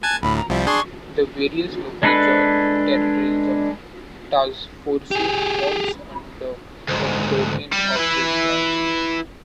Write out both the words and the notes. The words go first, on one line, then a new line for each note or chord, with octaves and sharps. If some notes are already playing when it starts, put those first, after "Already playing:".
The various local Joint Terrorism Task Forces falls under the domain of this branch.
G#5 A5 F#6 G#6
D2 A2 B5
A#5
C2 F3 G3 E5
D4 G#4 C6 C#6
G#3 D4 A4 B4
G4 G#4
D2 G#2
G3
E4 B4